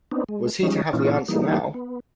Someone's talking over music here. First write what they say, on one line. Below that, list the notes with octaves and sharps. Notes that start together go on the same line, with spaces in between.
Was he to have the answer now?
B3 C4 D4 D#4
G#3
F3 G3 G#3 C#4 D#4
A#2 E3 C#4 D#4 F4
E3 G3 A#3 D#4
B3